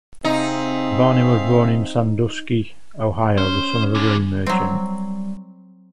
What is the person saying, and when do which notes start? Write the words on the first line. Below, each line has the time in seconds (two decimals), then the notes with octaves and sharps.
Barney was born in Sandusky, Ohio, the son of a grain merchant.
0.24 C3 C4 D#4 G#4 E5 F5
3.38 C#4 C5
3.95 D3 G#3
4.46 F#3 G3 C4